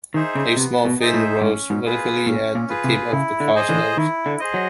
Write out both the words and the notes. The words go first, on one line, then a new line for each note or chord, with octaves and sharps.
A small fin rose vertically at the tip of the car's nose.
D#3 D#4 G#4 C5 E5
C#3
C3 B3
B2
D#4 G#4 C5 E5
A2
G#2 C#4
G#2
F4 G#4 B4
A#2 C#4
A#2
F4 G#4 B4
C3
C#3 E4
D3
G#4 C5 D#5
D3 E3
D#3 E4
D3
G#4 C5 D#5
F#3